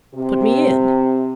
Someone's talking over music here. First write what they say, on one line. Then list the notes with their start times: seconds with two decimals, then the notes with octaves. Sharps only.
"Put me in."
0.15 C3